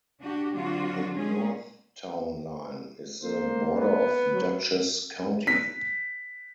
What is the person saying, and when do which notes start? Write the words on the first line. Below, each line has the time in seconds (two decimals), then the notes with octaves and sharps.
The north town line is the border of Dutchess County.
0.21 D4 F#4 G4
0.54 D3 F#3 C4 D4 F4 F#4
1.16 G3 G#3 C#4 G#4
3.24 A#3 C5
3.74 B3
4.33 F#3
5.47 B6